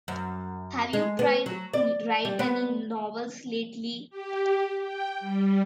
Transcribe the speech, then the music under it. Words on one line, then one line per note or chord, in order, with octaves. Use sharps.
Have you tried to write any novels lately?
F#2
G#3
B3
F#3
D5
G3
B3
G4
G5
G3